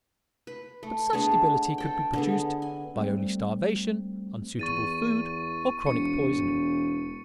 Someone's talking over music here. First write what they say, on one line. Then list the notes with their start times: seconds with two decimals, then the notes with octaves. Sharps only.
But such debility could be produced by only starvation, unsuitable food, or chronic poisoning.
0.47 B4
0.83 A3
1.13 A3 B3 D4 G#4
1.78 A4 G5
2.13 D3 B3 G#4
2.62 G#5
2.95 G3 A3 C4
4.59 E2 C#6 A6 D#7
5.87 E1 C#7